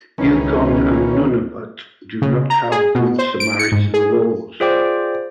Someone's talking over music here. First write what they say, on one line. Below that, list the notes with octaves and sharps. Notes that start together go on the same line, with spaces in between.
Yukon and Nunavut do not have good Samaritan laws.
C#2 D#3 E3 C#4
C#3
A#5
G#4
B2
C5
D7
C#7
G#2
G#4
F4 G#4 C5 D5 G5 D6